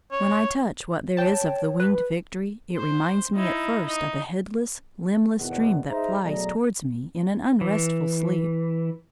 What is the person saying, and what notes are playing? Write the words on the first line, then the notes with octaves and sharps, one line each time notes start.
When I touch what there is of the Winged Victory, it reminds me at first of a headless, limbless dream that flies towards me in an unrestful sleep.
C#5
C#5 G5 A5
B4
C5
D#4 E4
D#4
G#1 E2 B2 F#5
D#4 G#4 C5 D#5 E5 A#5
B2 F#3 A3 G#4 D5 A#5
E3